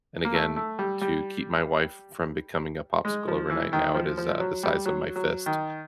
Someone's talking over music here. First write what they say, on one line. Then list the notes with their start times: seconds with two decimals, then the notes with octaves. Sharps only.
And again, to keep my wife from becoming a popsicle overnight, now, it is, uh, the size of my fist,
0.25 A#3
0.34 A3
0.56 A3
0.79 G3
1.01 G3
3.05 G#3
3.28 F3
3.50 E3
3.73 D#3
3.95 F3
4.18 F3
4.40 F#3
4.63 G3
4.85 F#3
5.16 F#3
5.46 D#3